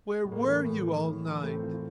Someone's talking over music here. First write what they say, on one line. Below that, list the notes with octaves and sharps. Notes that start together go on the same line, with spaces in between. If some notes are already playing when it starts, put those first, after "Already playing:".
"Where were you all night?"
A2 G#3
A#3
A3
E3
A#3
A2 A3
E3
A2
E3
A2 A3
C4
E3 F4
F4